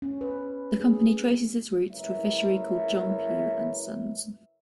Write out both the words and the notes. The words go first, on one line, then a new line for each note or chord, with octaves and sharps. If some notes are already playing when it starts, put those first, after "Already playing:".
The company traces its roots to a fishery called John Pew and Sons.
C#4
B4
G#4
F#1 E4 A#4 B4 C#5 E5